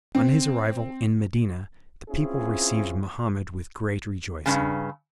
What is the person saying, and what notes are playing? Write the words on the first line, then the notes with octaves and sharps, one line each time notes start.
On his arrival in Medina the people received Mohammed with great rejoicing.
C4
C4 C#4 E4 F4 G#4
G2 C#3